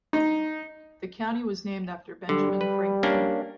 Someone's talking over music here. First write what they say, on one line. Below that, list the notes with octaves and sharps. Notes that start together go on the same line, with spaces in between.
The county was named after Benjamin Franklin.
D#4
D3 G3
B4
A#3 C#4 D4